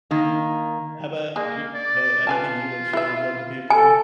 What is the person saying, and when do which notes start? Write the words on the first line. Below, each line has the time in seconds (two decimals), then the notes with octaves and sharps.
How 'bout uh, you know how do you think you, like, show love to people?
0.11 D#3 A#3
1.36 G#3 A#3 G#4
1.74 D5
2.27 F4 B4 G#5 A5
2.93 E4 E5
3.70 A4 G#5